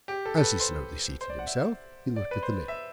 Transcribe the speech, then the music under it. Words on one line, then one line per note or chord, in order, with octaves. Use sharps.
As he slowly seated himself, he looked at the lady.
G4
A4
A4
B4
C5
C5
D5
F#5
E5
D5
B4
C5
E5